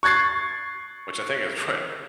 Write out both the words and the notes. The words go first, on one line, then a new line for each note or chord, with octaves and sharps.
Which I think is what
C#6 F#6 G#6 A6 C7